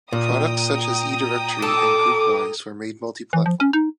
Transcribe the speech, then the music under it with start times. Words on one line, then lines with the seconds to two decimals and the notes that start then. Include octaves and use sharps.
Products such as eDirectory and GroupWise were made multi-platform.
0.13 A#2 G5 A#5 D#6
1.62 A4 D6
3.33 E3
3.46 F3
3.60 C#4
3.73 D#4